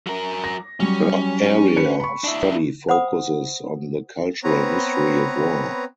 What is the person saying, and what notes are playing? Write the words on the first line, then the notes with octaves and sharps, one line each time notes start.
Her area of study focuses on the cultural history of war.
F#3 A#4
A#6
F#3 G3 C#4
B4 C#7
B5 C#6
D4 E4
C5 F#5 B5 D#6
B3 C4 B4 C#5 A#5